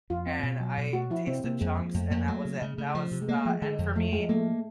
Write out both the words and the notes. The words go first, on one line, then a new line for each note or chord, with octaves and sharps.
and I tasted chunks, and that was it, that was the end for me.
F2 F4
C4
B2
F#3
B2
A3 F#4
F3 E4
C3 C4
C3 A#3
F2 G#3
F3
F2 A3
F2 A#3
F#3 A3
C#3
C#3 G#3
C#3 A3
F3
C3
G#3
A3 A#3
F3 G#3
D3 G#3
F2
F3 A3
F3 G#3
A3 A#3